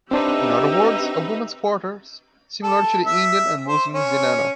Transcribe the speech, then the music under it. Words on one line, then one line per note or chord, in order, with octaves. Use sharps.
In other words, a women's quarters, similar to the Indian and Muslim zenana.
C4 D4 D#4 G4 B4 C5 D#5 E5
A4
E5
C5
C#4